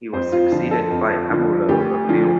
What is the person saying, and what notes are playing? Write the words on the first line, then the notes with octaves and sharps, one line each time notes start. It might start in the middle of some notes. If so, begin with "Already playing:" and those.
He was succeeded by Amulo of Lyons.
F2 C5
F4
D3 F3 F4
A4
F2
D3 F3
D2 G4
D3 F3